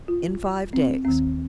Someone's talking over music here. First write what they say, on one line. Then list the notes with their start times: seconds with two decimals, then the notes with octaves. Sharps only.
"In five days."
0.08 F4
0.73 C4
1.05 D#2 D#3 C4